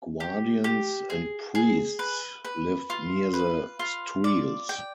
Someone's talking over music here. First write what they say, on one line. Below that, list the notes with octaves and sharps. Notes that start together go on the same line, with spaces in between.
Guardians and priests live near the Streels.
G4
G4
G#4
G#4
B4
B4
F4
B4
F4
D5
G5